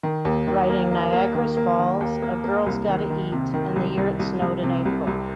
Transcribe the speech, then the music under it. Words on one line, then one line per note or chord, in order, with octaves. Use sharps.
Writing Nyagra's Falls, A Girl's Gotta Eat, and The Year it Snowed in April.
D#3
D#2
D#3
A#3
A#3
A#3
D#3
A#3
D#3
D#2
A#3
A#3
C2
D#3
D#3
C3
D#3
C2
C2
C2
C2
C3
C2
C2